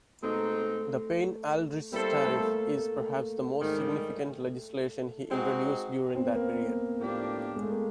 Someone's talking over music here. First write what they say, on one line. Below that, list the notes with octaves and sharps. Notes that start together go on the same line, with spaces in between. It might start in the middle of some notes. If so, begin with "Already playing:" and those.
The Payne-Aldrich Tariff is perhaps the most significant legislation he introduced during that period.
B2 G#3 A3 C4 D#4
G3 A#3 C4 E4 A4 C5
A3
A#3
A3
G#2 D#3 G3
G#3 C4 D#4 F#4
C4
B3
A#3
B3
A2 F3 A#3 D4 G4
G#3
A3
A#3